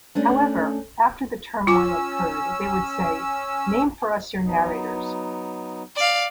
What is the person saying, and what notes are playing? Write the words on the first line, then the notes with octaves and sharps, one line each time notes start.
However, after the turmoil occurred they would say, 'Name for us your narrators.
A3 C#4 D4
C#4 F4 D6 E6
F#3 B3 D#4
D5 F5